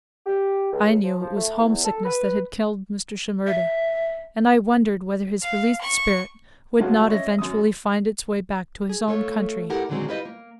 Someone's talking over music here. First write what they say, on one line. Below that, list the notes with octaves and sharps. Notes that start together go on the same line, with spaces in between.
I knew it was homesickness that had killed Mr. Shimerda, and I wondered whether his released spirit would not eventually find its way back to his own country.
G4
C#2
F3
F3
A3
E2
A4
B4
E5
F5
C#6
G1 F#3 G#3 F4 F#4 A4
C#5 D#5 E5 A#6
F#2 D#6
G#4
A3 F4 A4 C#5
E4 G4 A4 A#4 F#5
A#2 D3 D#3 F#3 G#3 C4
E4 F4 G4 B4 C5 D#5
A#3